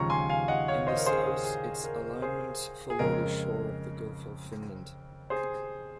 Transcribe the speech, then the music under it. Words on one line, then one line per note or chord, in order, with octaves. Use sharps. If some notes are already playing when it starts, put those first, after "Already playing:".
In the south its alignment follows the shore of the Gulf of Finland.
Already playing: D#2 C#3 F3 G#3 A#5 C#6
G#5 C6
F5 G#5
D#5 F#5
C#5 F5
C5 D#5
A#4
G#4 C5
G#4
G#4
A#4
G#4 C5
G#4
F2 C#3 G#3 A#4
G#4 C5